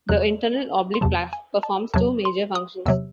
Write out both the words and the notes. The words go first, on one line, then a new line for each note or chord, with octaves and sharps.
The internal oblique performs two major functions.
E2 C3 F#3 F#6
C6
E2 C3 F#3 A5
G#5
A5
E2 C3 F#3 A5
C6
D#6
E2 C3 F#3 E6